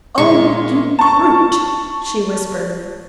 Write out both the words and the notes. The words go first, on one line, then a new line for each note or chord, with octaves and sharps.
"Oh--you brute!" she whispered.
A#2 G#3 C#6
A5 C#6